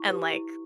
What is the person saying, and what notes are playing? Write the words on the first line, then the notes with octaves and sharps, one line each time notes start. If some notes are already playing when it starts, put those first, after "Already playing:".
and, like,
Already playing: E4 C#6
G4 B4
E4